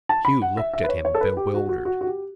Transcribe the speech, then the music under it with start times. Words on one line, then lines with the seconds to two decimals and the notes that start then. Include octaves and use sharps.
Hugh looked at him bewildered.
0.09 A5
0.25 B5
0.42 F#5
0.57 E5
0.73 E5
0.84 B4
0.89 C#5
1.05 C#5
1.15 A4
1.21 B4
1.37 G4
1.54 F#4
1.69 F#4
1.85 F#4
2.01 F#4
2.06 G4